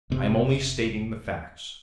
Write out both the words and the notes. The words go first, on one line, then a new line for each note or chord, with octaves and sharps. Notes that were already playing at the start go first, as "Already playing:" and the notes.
"I am only stating the facts."
F1 C3